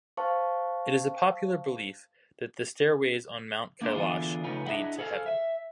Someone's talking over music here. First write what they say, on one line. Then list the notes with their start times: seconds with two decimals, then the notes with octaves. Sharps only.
It is a popular belief that the stairways on Mount Kailash lead to heaven.
0.17 C5 F5 A5 C#6
3.82 A#3 D4 E4 C6
3.95 D3 E3 B3 F4 G#4
4.44 C#3 F3 A3 C#4 D#4 B4
4.66 D4 E4 G#4 D#5 E5 F#5
4.99 G#4 A4 C5 F5
5.26 E5